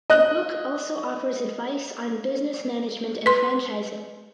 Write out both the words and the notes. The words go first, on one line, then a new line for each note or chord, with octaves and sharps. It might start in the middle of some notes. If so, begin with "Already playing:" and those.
The book also offers advice on business management and franchising.
D#5 F#6
B4 C6